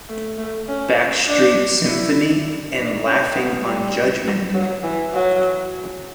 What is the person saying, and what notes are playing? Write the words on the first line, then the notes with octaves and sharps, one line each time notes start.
"Backstreet Symphony" and "Laughing on Judgement Day".
A3
A3
C#4
D4
E4
D4
C#4
B3
G3
F#3
E3
F#3